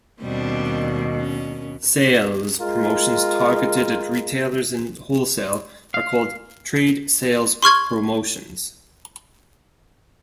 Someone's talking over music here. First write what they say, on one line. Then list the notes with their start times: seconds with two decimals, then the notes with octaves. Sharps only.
Sales promotions targeted at retailers and wholesale are called trade sales promotions.
0.21 D#2 B2 G3 C4 D4
1.16 C#4
2.60 G#3 F4 A#4
5.94 F5
7.62 C6 C#6 F6 G#6